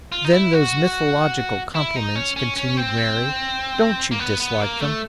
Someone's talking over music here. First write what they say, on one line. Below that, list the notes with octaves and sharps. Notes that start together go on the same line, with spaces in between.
"Then those mythological compliments," continued Mary, "don't you dislike them?"
F4
D#4
E4
F#4
E4
D#4
C#4
C#4
C#4
C4
A#3
B3
B3
A#3
A3